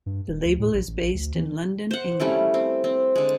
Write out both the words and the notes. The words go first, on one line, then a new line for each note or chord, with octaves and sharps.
The label is based in London, England.
G2
D#1
D2
A2
A#1
A1
A#1
D2
E3
C5 F#5
G3 A3 C#4 E4
C4
C4
D3 G#3